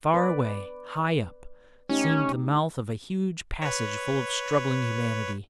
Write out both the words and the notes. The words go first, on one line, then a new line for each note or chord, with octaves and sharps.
Far away, high up, seemed the mouth of a huge passage full of struggling humanity.
B4 D5
A3 C#4 D#4 G4
B4 C#5